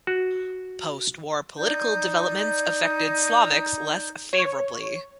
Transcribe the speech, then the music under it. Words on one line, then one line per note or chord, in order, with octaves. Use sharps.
Postwar political developments affected Slovaks less favorably.
F#4
D#4 D5 G6
C#5